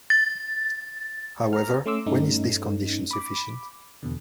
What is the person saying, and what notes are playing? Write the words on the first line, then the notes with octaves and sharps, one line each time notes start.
However, when is this condition sufficient?
A6
A#5 F6
A3 C#4 C6 D6 E6
G2 A3 C#4 D#4
B5 D6
E2 B2 D3